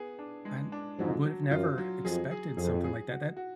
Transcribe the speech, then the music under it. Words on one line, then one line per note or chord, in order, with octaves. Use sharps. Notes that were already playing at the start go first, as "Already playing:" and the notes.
I I would’ve never expected something like that that
Already playing: B3 G#4
D4
G#3
D4
F2 G#2 F#3
F#3
F#2 F4
F#3
F2 G#4
G#4
F2 G#4
G#4
F#4
F#4